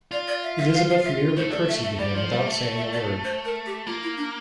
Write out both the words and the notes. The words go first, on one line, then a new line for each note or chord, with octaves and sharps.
Elizabeth merely curtseyed to him without saying a word.
F4 D5
D5
E5
E5
F5
F5
E5
A3 C5
D5
E5
E5
G3 D5
F3 D5
G3 C5
A3 E5
E5
D5
C5
A#4
G4
A#3 F4
E4
D4